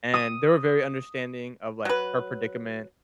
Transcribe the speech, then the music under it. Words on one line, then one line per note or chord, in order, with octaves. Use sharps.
and they were very understanding of, like, her predicament,
D#6
F#3 B4